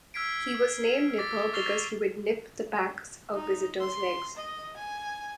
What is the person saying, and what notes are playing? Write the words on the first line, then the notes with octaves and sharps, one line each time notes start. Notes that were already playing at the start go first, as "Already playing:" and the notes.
He was named Nipper because he would "nip" the backs of visitors' legs.
E6 F6 G#6 B6 C7 D7
D6 A6 B6
C#6 F6 A6 C7 F7 G7
D#4
C6
D#5
G#5